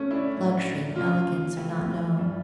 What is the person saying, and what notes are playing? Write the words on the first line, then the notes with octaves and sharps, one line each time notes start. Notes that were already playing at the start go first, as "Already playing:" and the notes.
Luxury and elegance are not known.
Already playing: A3 C#4
E4
D4
A2 G3 C#4
C#3 E3 A#3 F4
E3 A3 E4 G4
G2 E3 G3 D4